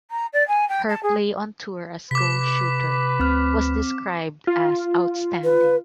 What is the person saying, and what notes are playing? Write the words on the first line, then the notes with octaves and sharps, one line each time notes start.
Her play on tour as goal shooter was described as "outstanding".
A#5
D5
G#5
G5
A5
G#4
C3 B4 D6 B6
D2 C4 F6
F4
B4